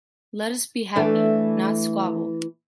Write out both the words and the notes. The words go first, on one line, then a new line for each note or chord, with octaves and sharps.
Let us be happy, not squabble.
E3 A3 D4